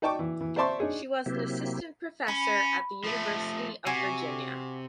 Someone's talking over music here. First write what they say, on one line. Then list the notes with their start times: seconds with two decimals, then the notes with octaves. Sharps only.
She was an assistant professor at the University of Virginia.
0.02 D#4 D5 G5 A5 C#6 D6
0.19 E3
0.41 E3
0.56 C5 D5 E5 A5 C6 C#6
0.79 D4 D#4 G#4 C#5
1.26 C3 F#3 A#3 C4 E4 G4
2.28 C#4 B5
3.04 F3 A3
3.87 C3 F#4 G#5